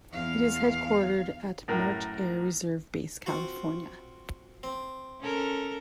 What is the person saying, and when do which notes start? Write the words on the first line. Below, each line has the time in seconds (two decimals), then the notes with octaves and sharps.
It is headquartered at March Air Reserve Base, California.
0.11 E2 F5
1.68 F#2 A2 A#4
3.26 C4 F4 F#4
4.63 C4
5.20 C#4 A4 A#4